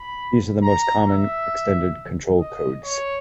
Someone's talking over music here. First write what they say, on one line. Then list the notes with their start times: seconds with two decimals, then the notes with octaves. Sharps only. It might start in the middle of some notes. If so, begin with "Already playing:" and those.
These are the most common extended control codes.
Already playing: B5
0.62 A#5
1.06 E5
2.40 D#5
2.84 C#5